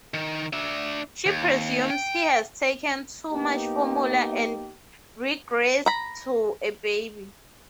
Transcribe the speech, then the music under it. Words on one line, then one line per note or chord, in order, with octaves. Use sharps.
She presumes he has taken too much formula and regressed to a baby.
D#3
D4 E5
D#2
G5
A#3 B3 D#4 G4
A#5 B5